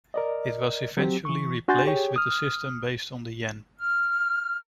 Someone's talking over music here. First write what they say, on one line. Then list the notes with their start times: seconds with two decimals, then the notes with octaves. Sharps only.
It was eventually replaced with a system based on the "yen".
0.14 A#4 D5 D#5
0.97 F#3 C4 G4
1.25 E3 C#6
1.68 D4 F#4 G#5 C6 G6 A6
1.85 G4 G#4 C#5 G5
2.16 D#6 F6
3.79 F6